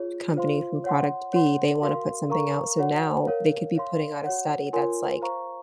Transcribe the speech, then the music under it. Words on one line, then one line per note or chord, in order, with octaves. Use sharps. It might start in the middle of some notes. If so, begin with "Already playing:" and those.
company from product B, they wanna put something out, so now they could be putting out a study that's, like,
Already playing: F4 G#4 C#5
F4 C5 F5 C6
C#5 F#5 C6
C#5 F#5 C6
F#4 A#4 F5 C6
A#4 F5 A#5 C#6
F#4 C#5 F#5
A#4 C#5 F5
C#5 F5 C6
F#4 C#5 F#5
F4 A#4 C#5 G#5 C6
C5 F5 A#5 C#6